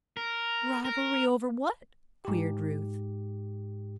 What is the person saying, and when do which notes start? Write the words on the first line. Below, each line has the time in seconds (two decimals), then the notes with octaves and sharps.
"Rivalry over what?" queried Ruth.
0.17 A#4
0.85 A#4
2.25 G#2 G4